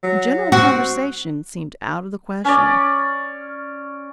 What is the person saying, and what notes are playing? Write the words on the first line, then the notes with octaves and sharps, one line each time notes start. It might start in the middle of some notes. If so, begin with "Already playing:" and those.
And general conversation seemed out of the question.
F#3
C4 F#4
C#4 D5